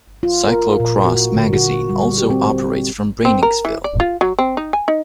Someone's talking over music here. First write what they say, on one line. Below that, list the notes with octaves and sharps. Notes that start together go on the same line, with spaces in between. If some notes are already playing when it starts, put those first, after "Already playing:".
Cyclocross Magazine also operates from Breinigsville.
F4
A#4
A#2
F#4
D3
F#4
G3
G4
C4
C4
A#4
E3
D5
F4
F#3
C4
D#4
G#5
D#4